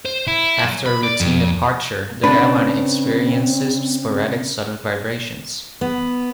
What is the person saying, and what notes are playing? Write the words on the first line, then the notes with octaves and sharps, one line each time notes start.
After a routine departure, the airliner experiences sporadic sudden vibrations.
C5
E4
F#3
B5
D5
F2
C#3 C4 D4 B4
B3